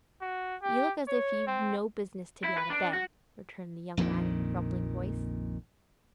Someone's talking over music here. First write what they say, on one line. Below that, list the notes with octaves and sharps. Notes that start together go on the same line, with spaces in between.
'You look as if you'd no business to be out of bed,' returned the young man in a grumbling voice.
F#4
G4
C#5
C4
E4
B4
D4
F#4
A#1 F2 A#2 D#3